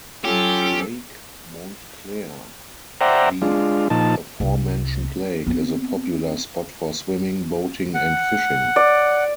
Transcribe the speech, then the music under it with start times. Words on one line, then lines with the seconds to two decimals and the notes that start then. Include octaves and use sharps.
Lake Montclair, the aforementioned lake, is a popular spot for swimming, boating, and fishing.
0.24 F#3 C#4 F4 G4 A4
3.01 C5 D5 E5 F#5 G5 A#5
3.42 G#3 D4 F4
3.90 A#2 F3 D#4 A5
4.40 C2
5.47 B3 C4
7.94 F#5
8.76 D5